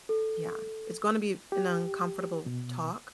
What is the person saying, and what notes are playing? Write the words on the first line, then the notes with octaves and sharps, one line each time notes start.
Yeah, it's gonna be an uncomfortable talk
A4
G4
B2